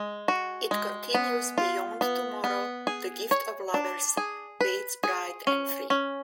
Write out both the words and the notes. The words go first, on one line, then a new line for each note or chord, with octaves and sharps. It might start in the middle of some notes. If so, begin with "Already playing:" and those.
It continues Beyond tomorrow, the gift of lovers, waits bright and free.
Already playing: G#3
F#4
G#3
B3
F4
B3
B3
G#4
C#5
D4
G#4
B4
G#4
C#4
C#4